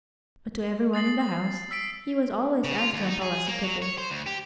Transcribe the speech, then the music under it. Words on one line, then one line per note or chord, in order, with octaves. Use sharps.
But to every one in the house he was always as gentle as a kitten.
D#6 A6 C7 F#7
E6 B6 C7 D7
C#3
F4
D#2
D#4
G#4
A#3
F#3
C#5
C5
D2
G4